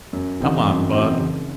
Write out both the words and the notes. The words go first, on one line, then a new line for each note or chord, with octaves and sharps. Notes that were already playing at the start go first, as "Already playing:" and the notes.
Come on, Bud.
F#2
E3 C4 D#4 F#4
F#2
E3 C4 D#4 F#4
F#1